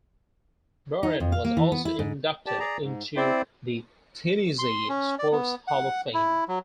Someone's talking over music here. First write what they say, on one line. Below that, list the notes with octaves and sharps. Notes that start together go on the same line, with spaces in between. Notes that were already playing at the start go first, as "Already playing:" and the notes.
Barnett was also inducted into the Tennessee Sports Hall of Fame.
D#4
F2
F5
A#3
E3
B3
E4
G#2
G4 D5 A5
G#4 D5 A#5
G#2
C4 E4 C5 D5
C6
C#4
D5
B3
F#5
E4
F#3